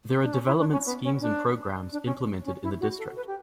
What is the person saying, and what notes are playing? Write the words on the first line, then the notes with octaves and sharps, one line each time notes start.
There are development schemes and programmes implemented in the district.
D4
C#4
E4
D4
C#4
B3
C#4
D4
D4
C#4
C#4
E4
F#4
A4
B4
G4